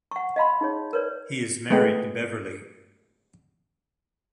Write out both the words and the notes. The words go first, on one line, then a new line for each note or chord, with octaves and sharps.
He is married to Beverly.
F#5 C#6
D#5 F5 B5 C6
D#4 G#4 C#5
A#4 B4 C#5 D5
G#3 A3 B3 D#5 G5